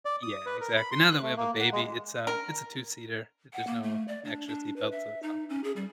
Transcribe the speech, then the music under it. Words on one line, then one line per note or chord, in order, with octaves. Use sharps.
Yeah. Exactly. Now that we have a baby, it's um, it's a two-seater. There's no extra seat belt, so it's not practical.
D5
D#6
B4
A#4
B5
C6
F#6
A3
A#3
F#5
G#3
A#4
F#5
A#3
A3
D5
D4
D4
B4
E5
D#4
C#4
G#4
G3